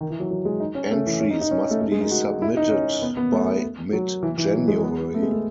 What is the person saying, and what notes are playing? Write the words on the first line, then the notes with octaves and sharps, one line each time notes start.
Entries must be submitted by mid-January.
D#3
E3
F#3
F#3
G#3
D#4
C#4
A3
E3
C#4
D#4
D#4
C#4
A3
A3
G#3
D#4
F#4
E4
D#4
C#4
B3
B3
A3
F#3
E3
E3
F#3
G#3
B3
A3
G#3
A3